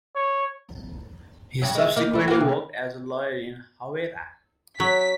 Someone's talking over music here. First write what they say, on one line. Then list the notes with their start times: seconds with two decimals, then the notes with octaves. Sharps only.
He subsequently worked as a lawyer in Hawera.
0.16 C#5
1.62 G2 C#3 F#3
1.75 G#3 E5
1.96 A#3 D#4
2.13 G3 A3
2.28 A#3 F#4
2.40 C3
4.80 F#3 B6